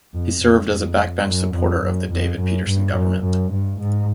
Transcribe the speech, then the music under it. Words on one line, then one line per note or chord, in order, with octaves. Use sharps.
He served as a backbench supporter of the David Peterson government.
F2
F2
F2
F#2
F2
F#2
F2
F#2
G2
F#2
F#2
G2
G#2